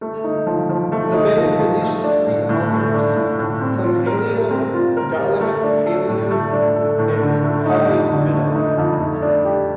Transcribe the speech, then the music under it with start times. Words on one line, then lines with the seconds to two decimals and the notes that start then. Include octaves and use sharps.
The band released three albums, "Clymhalio", "Dalec Peilon" and "Hei Vidal!".
0.01 A3
0.24 D#4
0.47 F3
0.69 F3
0.92 A3
1.14 D#4
1.36 F3
1.59 F3
1.82 A3
2.04 D4
2.26 A2
2.49 A2
2.71 A3
2.94 D4
3.16 A2
3.39 A2
3.61 C4
3.83 F4
4.06 A#4
4.28 G3
4.51 C4
4.73 F4
4.96 A#4
5.18 G3
5.41 A3
5.63 D4
5.86 A4
6.08 A2
6.31 A3
6.53 D4
6.76 A4
6.98 A2
7.20 D3
7.43 A3
7.66 D#4
7.88 F2
8.10 D3
8.33 A3
8.55 D#4
8.78 F2
9.00 A3
9.22 D4
9.45 G4